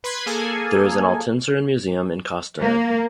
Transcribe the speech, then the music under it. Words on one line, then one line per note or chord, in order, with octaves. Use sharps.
There is an Altynsarin museum in Kostanay.
B4 B5 C6 G#6
A#3 G#4 A4 G#5
A#3